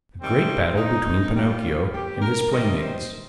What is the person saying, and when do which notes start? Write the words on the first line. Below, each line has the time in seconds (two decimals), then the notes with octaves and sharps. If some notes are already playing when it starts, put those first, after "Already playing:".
The great battle between Pinocchio and his playmates.
0.21 C3 D#3 G3 C4
0.77 D#4
1.36 A#2 G3 F4
1.94 G4
2.22 A#4
2.52 C3 D#3 G3 D#5
2.81 C5